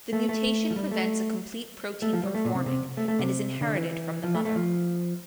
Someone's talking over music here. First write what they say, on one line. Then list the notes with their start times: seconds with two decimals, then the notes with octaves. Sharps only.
The mutation prevents a complete protein from forming and is inherited from the mother.
0.13 A3
0.29 A3
0.70 F3
0.76 G3
0.91 A3
2.02 A3
2.13 F3
2.24 G3
2.34 A3
2.45 A#2
2.55 C3
2.66 C3
2.97 A3
3.08 A3
3.19 C3
3.61 D3
3.76 E3
4.24 F3
4.35 A3
4.45 A3
4.56 F3